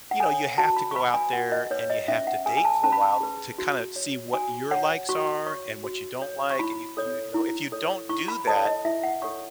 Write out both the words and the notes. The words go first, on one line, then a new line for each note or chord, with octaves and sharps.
you know, you have to go out there and you have to date for a while to kinda see what your likes are and what you don't like, and you you you know, if you don't do that,
F#5
A4 C#5 G#5
F#4 A5
B5
C#6
B4 B5
G#5
F#4 F#5
D#5
B4 C#5
D#5
C#4 E5
F#5
G#4 B4 G#5
G#5
A5
C#4 A5
B5
A5
G#4 B4
F#4
C#5
F#4 G#5
C#5 F#5
F#4 C#6
C#5 C#6
F#4
C#5
C#6
E4 B5
A4 C#5
E4
A4 C#5
E4 C#6
B5
A4 C#5 A5
D#5
E4 E5
F#5
A4 C#5 C#6